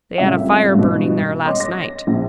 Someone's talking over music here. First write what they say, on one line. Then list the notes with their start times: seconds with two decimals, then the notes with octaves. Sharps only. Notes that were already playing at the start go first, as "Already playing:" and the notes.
"They had a fire burning there last night."
0.18 C2 A2 C3 C#4 F4 E5
0.75 G2 B2
1.45 C#5 D#5 C6 D6
1.60 A#6
2.07 A#1